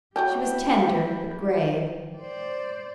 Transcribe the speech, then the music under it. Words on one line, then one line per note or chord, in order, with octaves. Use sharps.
She was tender, but grave.
F#3 E4 G4 C#5 G5 A5
C5 D5